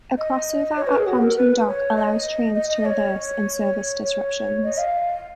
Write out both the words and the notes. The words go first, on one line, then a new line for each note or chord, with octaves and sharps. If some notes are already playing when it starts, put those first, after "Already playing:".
A crossover at Pontoon Dock allows trains to reverse in service disruptions.
D#5
C#5
B4
G#4
F#4
A#4
B4
B4
C#5
D#5
D#5
D#5
C#5
C#5
D#5
F5